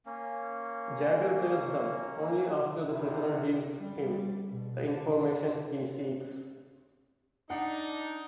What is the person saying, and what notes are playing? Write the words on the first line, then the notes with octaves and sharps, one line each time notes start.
Jagger tells them, only after the prisoner gives him the information he seeks.
A#3 C#4
E2 C3 D#3 E4
G3
B2
D4
D4 D#4 F#5